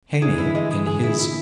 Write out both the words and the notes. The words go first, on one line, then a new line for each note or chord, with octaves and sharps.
Heine in his.
D3 E3 G#3
E4
G#3
G#3
D3 G#4
E4
E4